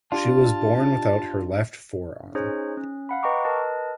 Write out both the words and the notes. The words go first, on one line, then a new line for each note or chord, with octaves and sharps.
She was born without her left forearm.
D4 F4 G4 A5
C#4 D#4 G#4 C5 C#5
C#4
F5 F#5 B5
B4 D#5 G5 A#5 C#6 D6
A#4 B4 D#5 A5